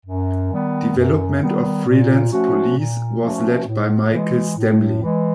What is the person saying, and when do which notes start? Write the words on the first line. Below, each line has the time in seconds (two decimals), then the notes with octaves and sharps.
Development of "Freelance Police" was led by Michael Stemmle.
0.06 F#2
0.51 D#3 G3 B3
0.96 F#2
1.41 D#3 G3 B3
1.86 A#2
2.32 F3 A3 C#4 F#4
2.77 A#2
3.22 F3 A3 C#4 F#4
3.67 A2
4.12 E3 G#3
4.57 A2
5.02 E3 G#3